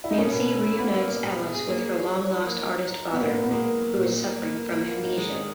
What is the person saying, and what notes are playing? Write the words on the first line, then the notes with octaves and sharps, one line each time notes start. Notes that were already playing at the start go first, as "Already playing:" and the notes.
Nancy reunites Alice with her long-lost artist father, who is suffering from amnesia.
E4
D#4
B2 A#3 C#4
B2
E4
A#3
B3 E4
A#3
B2
B2
G#4
G#4
A#3
G#4
C#5
C#5
E4
A#3
A#4
D#4
A#4
D#4
B3
A#2 A#3
A#2
B3
G#3 A#3
A#4
F#3
A#2
D#4
A#3
A#3
A#3
A#3
A#3
D#4
G#3
D#3